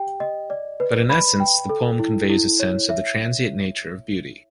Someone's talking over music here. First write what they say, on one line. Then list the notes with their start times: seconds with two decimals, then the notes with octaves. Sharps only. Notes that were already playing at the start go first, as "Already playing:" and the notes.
But in essence the poem conveys a sense of the transient nature of beauty.
Already playing: G4 G5
0.20 D#5
0.50 D5
0.80 B4
1.10 B5
1.40 G5
1.69 A4
1.99 E4
2.30 E4
2.60 C#5
2.90 E5